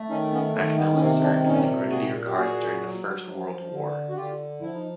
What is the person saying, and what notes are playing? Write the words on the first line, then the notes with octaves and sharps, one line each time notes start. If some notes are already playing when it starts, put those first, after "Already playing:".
Macmillan served in the Grenadier Guards during the First World War.
Already playing: A3
D#3 C#4 D#4
B3 C#4
D#3 B3
B3
C#4
C3 A#3 C4
C4 D4
A#2 C#4 D#4
A#2 F#4 G#4
G4
A#2 F#4 G#4
F#3
F3
D3
F#4
D3 F4 G4
F3 E4
D#4